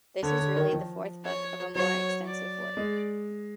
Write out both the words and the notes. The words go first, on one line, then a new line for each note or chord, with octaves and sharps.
This is really the fourth book of a more extensive work.
D3 C#5
D3
D#3
F3
C#5
F#3 C#5
D5
G#3